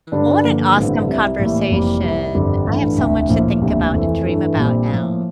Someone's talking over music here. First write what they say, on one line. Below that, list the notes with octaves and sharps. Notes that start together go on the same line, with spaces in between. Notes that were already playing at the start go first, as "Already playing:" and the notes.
well what an awesome conversation. I have so much to think about and dream about now.
G2 D3 G3 D4
G2 D3 F3 A#3
A1 G2 D3 G3 C4
C2 C3 G3
A1 A2 E3 G3 A#3
F1 F2 E3 G3 A#3
C2 C3 G3
G1 F2 D3 G3
A1 G2 E3 A3
E1 D2 C3
A#1 A2 F3 A#3
E1 D2 C3 G3 A#3
F2 E3 A3
G2 E3 A3
A#1 A#2 G3 C4
A2 F3 A#3